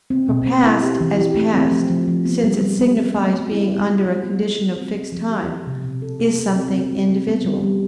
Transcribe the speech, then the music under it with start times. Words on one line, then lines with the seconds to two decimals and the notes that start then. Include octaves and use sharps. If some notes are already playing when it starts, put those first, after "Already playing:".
For past, as past, since it signifies being under a condition of fixed time, is something individual.
0.10 C4
0.29 B2
0.46 C4
0.64 E4
0.83 G4
1.00 E3
1.18 G4
1.36 A3
1.54 C4
1.72 F3
1.90 F3
2.08 F3
2.25 B3
2.44 G3
2.61 G3
2.79 B3
2.98 C4
3.16 A3
3.33 A3
3.51 E4
3.69 G3
3.87 F4
4.05 G3
4.23 B3
4.41 G3
4.59 G3
4.76 C4
4.95 C4
5.12 F3
5.30 G4
5.48 C4
5.67 C3
5.84 B2
6.02 A4
6.20 A4
6.38 A4
6.55 C4
6.73 C4
6.92 G3
7.09 C4
7.28 B3
7.45 G3
7.63 G3